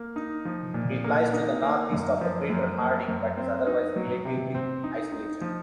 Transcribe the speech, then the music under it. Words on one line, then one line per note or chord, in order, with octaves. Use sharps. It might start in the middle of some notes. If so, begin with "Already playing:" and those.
It lies to the northeast of the crater Harding, but is otherwise relatively isolated.
Already playing: A#3
D#4
F3
A#2
A#3
D#4
A#3
F#2
F3
F#2
A#3
F#2
C4
D#4
F#3
C3
C4
D#4
D#4
F3